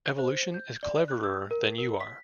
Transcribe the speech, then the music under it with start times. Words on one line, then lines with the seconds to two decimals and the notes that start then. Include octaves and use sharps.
Evolution is cleverer than you are.
0.18 C5
0.54 G6
0.83 D5
1.08 F#6
1.23 E6
1.51 A#4
1.78 A#4
2.00 B6